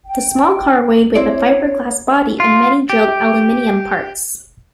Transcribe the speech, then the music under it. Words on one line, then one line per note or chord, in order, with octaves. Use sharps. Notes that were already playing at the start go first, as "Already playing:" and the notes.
The small car weighed with a fiberglass body and many drilled aluminium parts.
G5
C4 E4 C#5 D5
F4
G4